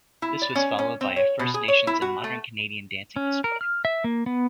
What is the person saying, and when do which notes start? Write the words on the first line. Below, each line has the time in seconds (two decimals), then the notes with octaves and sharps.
This was followed by a First Nations and modern Canadian dancing display.
0.22 E4
0.42 D5
0.55 C#4
0.79 C#4
1.01 C4
1.16 C#5
1.39 B2
1.54 G#4
1.68 C#5
1.87 E4
2.02 F#4
2.24 A3
3.16 C#4
3.44 A#4
3.61 F6
3.85 E5
4.04 A#3
4.26 B3